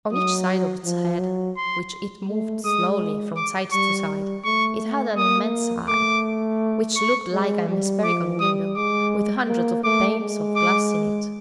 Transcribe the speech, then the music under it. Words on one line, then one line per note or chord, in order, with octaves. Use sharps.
On each side of its head, which it moved slowly from side to side, it had an immense eye, which looked like a hemispherical window, with hundreds of panes of glass in it.
F#3 D#6
F3
F#3
C6
A3
G#3 D#6
D6
G3 C#6
A3 C#6
A#3 D#6
A3 D6
C#6
G#3
G3
F3 D6
G3 D#6
G#3 D6
A#3
A3 D6
G#3
D6